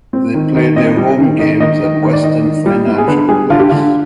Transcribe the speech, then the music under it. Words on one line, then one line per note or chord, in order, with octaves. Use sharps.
They play their home games at Western Financial Place.
C4
D#3
D#3 D#5
C4 D#5
G3
D#3
D#3 D#5
D#3 D#5
D#3
D#3
D5
D#3 D#5
D#3
G3
B3
G#4
D3 B4
G3 G#4
D3 F4
G4
D3 F4